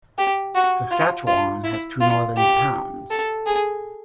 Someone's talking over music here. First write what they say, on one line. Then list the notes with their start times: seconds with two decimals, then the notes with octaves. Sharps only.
Saskatchewan has two northern towns.
0.18 G4
0.55 F#4
0.91 F4
1.27 F4
1.64 E4
2.01 F4
2.37 G4
3.11 A4
3.47 G#4